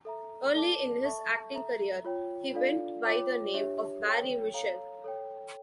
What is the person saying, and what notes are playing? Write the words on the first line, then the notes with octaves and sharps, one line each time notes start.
Early in his acting career, he went by the name of Barry Mitchell.
A4 E5 A#5
A4 D5 A5 D6
A4 E5 A5 C#6
A4 E5 A#5
F4 C#5 G5
D4 F4 A4 D5 F5
F4 C#5 G5 D6
D4 G4 C#5 E5
A4 C#5 G5
A4 C#5 F5 A#5
A4 C#5 G5